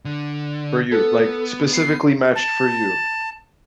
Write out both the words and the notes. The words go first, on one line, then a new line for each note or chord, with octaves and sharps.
For you, like, specifically matched for you.
D3
B3 A4
C7
A5